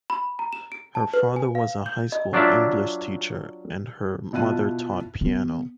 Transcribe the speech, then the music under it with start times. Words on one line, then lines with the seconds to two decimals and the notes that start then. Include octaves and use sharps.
Her father was a high school English teacher and her mother taught piano.
0.10 B5
0.39 A#5
0.53 E7
0.72 D7
0.95 A5
1.14 B4
1.36 G#5
1.55 F5
1.86 G6
2.12 D#5
2.33 F#3 D4 F4 D5 E5
4.33 B2 E4 F4 A5 F#6 D#7
5.21 B3